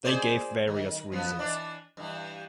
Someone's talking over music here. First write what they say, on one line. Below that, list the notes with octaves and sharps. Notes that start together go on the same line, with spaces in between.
They gave various reasons.
G#4 C5 D5
D#3
F3 B3
E3 D4
G2 E3